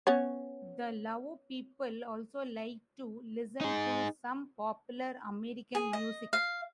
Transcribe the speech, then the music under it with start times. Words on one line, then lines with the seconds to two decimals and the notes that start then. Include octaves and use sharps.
The Lao people also like to listen to some popular American music.
0.07 B3 C#4 C#5
3.61 D#4 G#4
5.75 G#4
5.93 D#5
6.33 F5